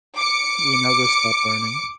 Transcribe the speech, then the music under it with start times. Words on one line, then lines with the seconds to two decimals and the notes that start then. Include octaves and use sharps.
We never stop learning.
0.17 D6 C#7